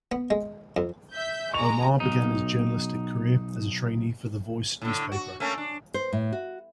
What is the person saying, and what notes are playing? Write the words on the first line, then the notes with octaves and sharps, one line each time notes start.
Omaar began his journalistic career as a trainee for "The Voice" newspaper.
B3
G#3
F2
E5 G6
G#3 A#5 C#6 F7
B1 D#4
A2 D3
F#4
A3 A#3 C#4
D4
C5
A2
F#4